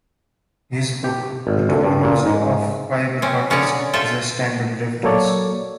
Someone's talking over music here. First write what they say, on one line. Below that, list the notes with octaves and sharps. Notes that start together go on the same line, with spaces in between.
His book "The Topology of Fibre Bundles" is a standard reference.
G4
G#1
D2
G2
A#2
G#2
C4 C#4
D3 C#4 G#4 C#5 D5 A#5
F4 A4 C5 E5 G5
F#3 A#3 A4 C#5 D5